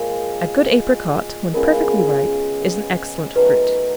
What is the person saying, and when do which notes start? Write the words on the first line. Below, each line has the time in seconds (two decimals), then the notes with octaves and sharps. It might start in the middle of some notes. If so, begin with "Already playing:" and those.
A good apricot, when perfectly ripe, is an excellent fruit.
Already playing: A#2 F3 G#3 A#4
1.54 C#3 F3 G#3 B3 A#4
3.36 D#3 F#3 A3 B4